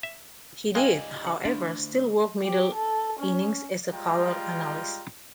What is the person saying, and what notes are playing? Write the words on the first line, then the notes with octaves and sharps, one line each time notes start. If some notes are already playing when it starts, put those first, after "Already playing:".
He did, however, still work middle innings as a color analyst.
E5
C#3 G3 G#3 C4 D#4 F5 G5 G#5
C#3 F#5
D2 D4 E4 F4 D5
G4
A4
C#4
G3 G#3 F4 G5 A#5